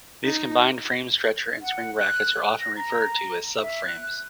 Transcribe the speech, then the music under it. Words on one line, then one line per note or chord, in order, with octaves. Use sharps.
These Combined Frame Stretcher and Spring Brackets are often referred to as "sub-frames".
D#4
F#5
F#6
A#6
A#5
E5
F#6